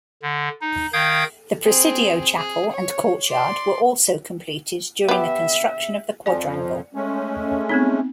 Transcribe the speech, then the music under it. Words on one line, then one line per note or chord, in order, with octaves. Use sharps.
The Presidio Chapel and courtyard were also completed during the construction of the quadrangle.
D3
D#4
D#3 F5 G5 D#6 G6 G#6
C4 G#4
G#4
C#5
D5 C6
B3 G4 E5
F2 F3 D5 G#5
G#3 A3 C#4
B3 C4 D#4